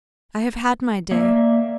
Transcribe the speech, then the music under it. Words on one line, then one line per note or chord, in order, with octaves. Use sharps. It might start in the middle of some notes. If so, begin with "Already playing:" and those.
I have had my day.
A#3 D5 E5